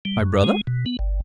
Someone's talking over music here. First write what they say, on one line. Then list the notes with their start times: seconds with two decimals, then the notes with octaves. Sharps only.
"My brother?"
0.05 G3
0.19 F#2
0.44 G#3
0.67 B2
0.86 B3
0.99 G1